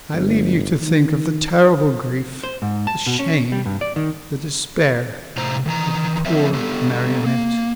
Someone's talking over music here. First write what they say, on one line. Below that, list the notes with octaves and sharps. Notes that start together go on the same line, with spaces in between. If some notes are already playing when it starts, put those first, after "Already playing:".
I leave you to think of the terrible grief, the shame, the despair of the poor Marionette.
G1
D#3
C5
G#2
A5
B2
C#4
G3
G2
D5
D#3
A2 C3 C5 A#5
D#3 E3 A5 A#5
F3 A3 C4 A#4 C#5 E5
B3 G4 A4
A#3